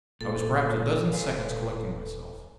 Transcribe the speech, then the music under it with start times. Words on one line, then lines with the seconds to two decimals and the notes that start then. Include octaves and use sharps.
I was perhaps a dozen seconds collecting myself.
0.21 D1 A#2 A4
1.13 D#1 B4 F5 G#5